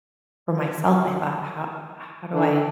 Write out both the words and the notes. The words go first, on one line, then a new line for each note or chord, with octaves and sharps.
for myself, I thought, "How how do I
D3